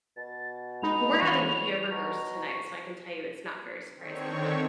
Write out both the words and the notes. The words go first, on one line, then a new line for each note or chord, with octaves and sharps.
Well, we're having hamburgers tonight, so I can tell you it's not very surprising, but,
B2 A6
G#3 D#4 B5 F7
E3 C#5
B2 A#5 C#6
D3 D#3 C4 C#5 C#6